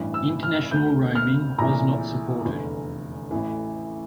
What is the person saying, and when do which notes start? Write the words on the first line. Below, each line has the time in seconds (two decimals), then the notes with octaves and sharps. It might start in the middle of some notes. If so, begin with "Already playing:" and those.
International roaming was not supported.
Already playing: A1 G2 E3
0.14 E6
0.43 F6
0.71 D2 D3 G6
1.15 F6
1.58 A#1 A2 E3 A#5
2.45 F1 E2 D3
3.31 A1 A2 E3